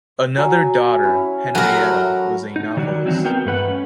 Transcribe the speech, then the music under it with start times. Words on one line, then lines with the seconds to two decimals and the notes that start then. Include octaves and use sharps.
Another daughter, Henrietta, was a novellist.
0.37 F#3 F#4 G#5
1.03 C#4 E4
1.55 F#3 A3 E4 G4 A#4
2.56 D#4
2.77 D#3 F#3 G3 F#4 D5
3.06 E3 F#3 C4 D4 D#4 F#4
3.25 B3 C4 F#4 A#4 G5
3.46 G2 A3 B4 F#5
3.68 C#4